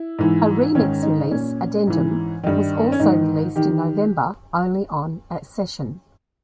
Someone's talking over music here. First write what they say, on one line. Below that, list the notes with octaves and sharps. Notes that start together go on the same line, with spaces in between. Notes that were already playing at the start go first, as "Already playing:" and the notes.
A remix release, "Addendum", was also released in November only on Accession.
Already playing: E4
G#2 E3
G#2 D#3 C#4
D#4
D#4
A#2 C#4
G#2 E3
G2 D#3 D#4
C#4
G#2 D#3 D#4
D#3 G4